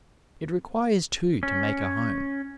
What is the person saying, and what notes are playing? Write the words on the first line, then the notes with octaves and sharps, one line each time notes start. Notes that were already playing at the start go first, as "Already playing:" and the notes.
It requires two to make a home.
C#4